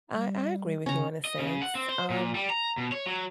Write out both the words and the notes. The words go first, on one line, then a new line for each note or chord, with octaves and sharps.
I I agree with you in a sense, um,
G3
C#3 C#4 A#5
D#5
C#3
F#5
C4
C5
A#2
G3
A#5
B2
C#5
F#3